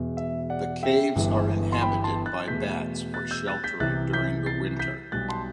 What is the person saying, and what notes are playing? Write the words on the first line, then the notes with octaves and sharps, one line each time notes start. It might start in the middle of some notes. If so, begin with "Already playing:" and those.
The caves are inhabited by bats for sheltering during the winter.
Already playing: E1 E2 B2
E5
D5 F#5
E5 G5
G1 G2 E3 B3
C6
G5 B5
A5 C6
F#6 A6
E2 B2 A3 G6 B6
F#6 A6
E6 G6
F#6 A6
G6 B6
C2 C3 E3 F#6 A6
G6 B6
A6 C7
G6 B6
B1 B2 G3 F#6 A6
A5 C6